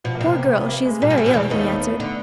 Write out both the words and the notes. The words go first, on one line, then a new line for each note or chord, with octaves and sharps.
"Poor girl, she is very ill," he answered.
B2 F3
A#3
C3
B3
B3
A#3
G#3
A#2 G3
B2
C3
B2
E2 E3 A3
D#2 D#3 B3
A3
D3